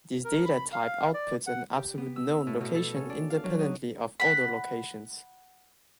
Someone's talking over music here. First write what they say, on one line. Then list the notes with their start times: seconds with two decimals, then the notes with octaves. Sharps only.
This data type outputs an absolute known location independently of other locations.
0.24 A#4
0.45 B5
0.73 F5
1.14 D5
1.47 F#5
1.76 G4
1.98 B3
2.16 E6
2.47 A2
2.60 B2
2.74 A4
2.95 C#4
3.10 D4
3.30 F5
3.44 F#3
3.59 D#4
4.20 F#5 B5